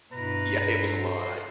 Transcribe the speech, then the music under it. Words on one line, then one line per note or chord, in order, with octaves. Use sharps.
Yeah, it was a lot. I
G2 B2 E4 B4 A#5
A4 C5